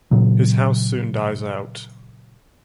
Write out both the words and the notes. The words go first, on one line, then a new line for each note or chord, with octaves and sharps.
His house soon dies out.
A#2 C#3 F#3